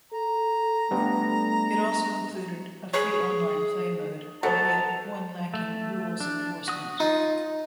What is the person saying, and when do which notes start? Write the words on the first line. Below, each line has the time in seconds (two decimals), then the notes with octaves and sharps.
It also included a free online play mode, albeit one lacking rules enforcement.
0.13 A4 A#5
0.91 G3 A3 B3 D4
2.93 C#4 G#4 B4 C#5
4.43 B2 F#4 A4 C5 A5 A#5
5.54 A3
6.20 D4
6.68 F#4 D#6
7.00 D#4 F4